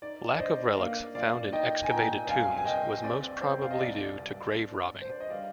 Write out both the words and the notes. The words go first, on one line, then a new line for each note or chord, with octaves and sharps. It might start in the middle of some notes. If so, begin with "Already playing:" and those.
Lack of relics found in excavated tombs was most probably due to grave robbing.
D#4 D5
D5
D3 C5 D#5
A#3 D5 F5
A#2 D5 F5
D#4 D#5 G5
G#5
A#2 G5 A#5
C2 F5 G#5
G#5
C2 D#5 G5
C4 D5
C4 C5
F5
D#5
C2 D5
C2
D4
D4
C5
D5
D#5
G3 D5 F5